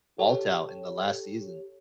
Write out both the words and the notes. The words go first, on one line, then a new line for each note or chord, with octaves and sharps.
Walt out in the last season.
G4 A4 C#5